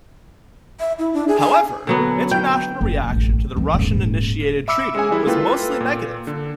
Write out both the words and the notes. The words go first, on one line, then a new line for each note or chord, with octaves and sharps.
However, international reaction to the Russian-initiated treaty was mostly negative.
E5
E4
D4
G#4
G#5
D3 F#3 B3
G5
F#1
A1
E3 C4
D#1 G#2
E5 B5 D6 E6 C#7
G#3 C#4 G#4 G#5
E3 G3 G#3 E4
A#3 F4 A4 B4 G5
A#2
D3